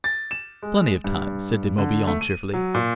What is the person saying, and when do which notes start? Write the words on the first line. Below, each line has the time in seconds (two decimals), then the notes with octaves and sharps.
"Plenty of time," said De Morbihan cheerfully.
0.04 A6
0.31 E7
0.63 G#3
1.04 G2
1.78 D3
2.07 A3
2.21 D#7
2.54 F#3
2.74 A#2